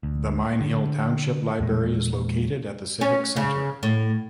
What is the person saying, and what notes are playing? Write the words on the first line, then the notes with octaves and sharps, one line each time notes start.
The Mine Hill Township Library is located at the Civic Center.
D2
D3
E2 A#2 G#3
C#4
C#3
A2